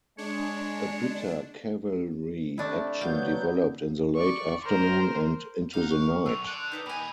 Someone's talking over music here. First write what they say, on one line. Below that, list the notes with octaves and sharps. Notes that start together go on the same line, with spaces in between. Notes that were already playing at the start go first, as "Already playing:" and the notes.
A bitter cavalry action developed in the late afternoon and into the night.
G#3 D4 C#5
C3 A3 D4 E4
F#3 B3 F5 G6
D5 C#6
A#4 C5
D#4 F5 F#5
A#4 C#6
B1 C6 E6 F7
A4 D5 F#6
D#4 B4 D#5 G6
A#2 G4 D#5 G#5 B5